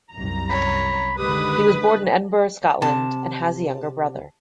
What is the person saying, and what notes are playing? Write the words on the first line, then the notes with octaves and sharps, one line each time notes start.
He was born in Edinburgh, Scotland, and has a younger brother.
C2 F#2 A#5
C#5 B5
D3 D#3 G#3 G4 B4 D#6
C3 A5